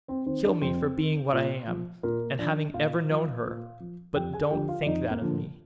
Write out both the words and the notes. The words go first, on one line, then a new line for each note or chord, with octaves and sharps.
Kill me for being what I am, and having ever known her; but don't think that of me!'
C4 C5
D#3 C4 C5
D4 D5
F2 C4 C5
D#3
A#2
F3
A#2 A#3 A#4
F3 D4 D5
A#2 F4 F5
F3
A#2
F3
F2 G4 G5
G#4 G#5
D3 F3 G4 G5
F4 F5
D5
F2 D#4 D#5
A#3 A#4
D3 F3